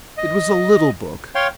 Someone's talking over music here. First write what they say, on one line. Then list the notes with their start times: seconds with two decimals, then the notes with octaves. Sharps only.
It was a little book.
0.18 D#5
1.35 C#5 F5 G5 C6